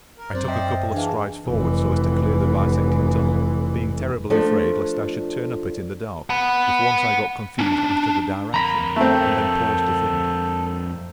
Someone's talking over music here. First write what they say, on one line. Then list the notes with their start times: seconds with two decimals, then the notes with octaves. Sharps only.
I took a couple of strides forward so as to clear the bisecting tunnel, being terribly afraid lest I should turn up it in the dark if once I got confused as to the direction, and then paused to think.
0.17 A#4
0.34 F#2 C4 C5 D5
0.48 D#5 E5 G5
0.92 E3 D4 G#4 F5
1.48 F1 E3
4.30 F3 A3 D4
6.30 F#5 B5
7.59 C#4 D4
8.54 F2 A#3 A#5 B5
8.96 A3 C4 A4